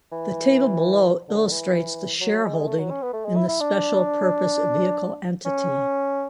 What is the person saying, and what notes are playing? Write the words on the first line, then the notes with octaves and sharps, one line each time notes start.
The table below illustrates the shareholding in the special purpose vehicle entity.
E3
D3
E3
F#3
G#3
A3
F#3
C#4
B3
A3
G#3
E4
E4
D4
C#4